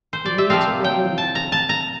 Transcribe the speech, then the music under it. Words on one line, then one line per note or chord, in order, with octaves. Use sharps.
He went away weeping.
C5
D5
E5
C3 F3 C4 F5
G5
A5
A#5
A5
A#5